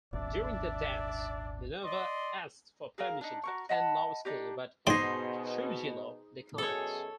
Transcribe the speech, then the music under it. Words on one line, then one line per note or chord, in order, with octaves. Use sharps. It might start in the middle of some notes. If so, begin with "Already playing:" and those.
During their dance, Minerva asks for permission to attend law school, but Trujillo declines.
D#1 G#1 D4 D5 E5
D5 D#5 C6
G#4 A#4 F5
D4 D#4
F#4 A#4 C#6
D#5 F#5 A5 B5
D4 D#4 G4
G#2 B2 D#4 G#4 C5 D5 C6 A#6
F#2 B2 G#4 A4 C#5